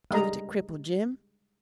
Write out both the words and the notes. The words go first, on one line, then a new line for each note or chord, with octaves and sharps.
"Give it to cripple Jim."
G3 G#3 D#5 A#5